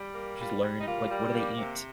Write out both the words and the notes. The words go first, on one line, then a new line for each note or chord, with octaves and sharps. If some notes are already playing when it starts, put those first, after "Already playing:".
Just learn, like, what do they eat?
Already playing: G3
A#3
G3 F4
G3
D#4
A#3 F4
G3
A#3
C3